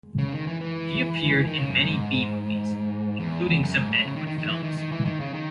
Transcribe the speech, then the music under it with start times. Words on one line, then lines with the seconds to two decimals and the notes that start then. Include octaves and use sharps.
He appeared in many B-movies, including some Ed Wood films.
0.18 C#3
0.33 D#3
0.47 E3
0.61 E3
1.47 D#3
1.58 C#3
1.69 F#2
1.80 F#2
1.90 G#2
3.20 E2
3.62 F#2
3.76 G#2
3.91 A2
4.05 C#3
4.16 D#3
4.27 D#3
4.38 D#3
4.48 E3
4.63 D#3
4.77 D#3
4.92 E3
5.05 D#3
5.20 C#3
5.34 D#3